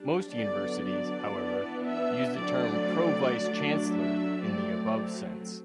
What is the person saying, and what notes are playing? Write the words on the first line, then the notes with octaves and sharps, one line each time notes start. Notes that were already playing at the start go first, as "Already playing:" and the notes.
Most universities, however, use the term pro-vice-chancellor in the above sense.
Already playing: G3 D4
D3 F#3 B3 D4 D5
D5
E3 B3 D4
E5
D3 F#3 A3 C4 D5
F#3 A3 D4
E5
F#3 A3 C4 D5